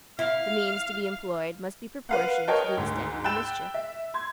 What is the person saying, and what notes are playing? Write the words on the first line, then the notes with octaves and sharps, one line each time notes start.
The means to be employed must be proportioned to the extent of the mischief.
E4 F5
B4 F5 F#5
A#4 C#5 D#5 G5 A5
D2 G#2
G5 B5 E6 F#6 A6 E7
E5
C6 G#6